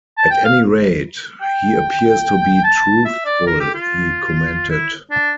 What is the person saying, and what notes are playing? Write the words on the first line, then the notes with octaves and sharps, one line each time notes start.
"At any rate he appears to be truthful," he commented.
A5
G5
F5
G5
A5
E5
D5
A#4
G4
F4
E4
D4